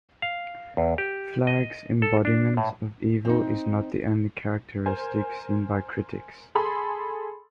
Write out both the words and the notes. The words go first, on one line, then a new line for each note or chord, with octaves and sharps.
Flagg's embodiment of evil is not the only characteristic seen by critics.
F5
E2
G4
D#5
A4
D4
A2
C4 D#4
A#4 C5 G#5
G#4 A4 B5 C6